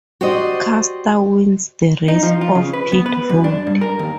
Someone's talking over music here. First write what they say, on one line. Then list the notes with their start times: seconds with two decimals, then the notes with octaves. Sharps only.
Custer wins the race off pit road.
0.21 F#4 G4 C5 D5 D#5
2.08 D#4
2.23 F3
2.41 F4
2.55 C#3
2.73 B4
2.92 B3
3.06 B4
3.29 F#2
3.44 D4
3.67 G2
3.81 A#4
3.99 D#2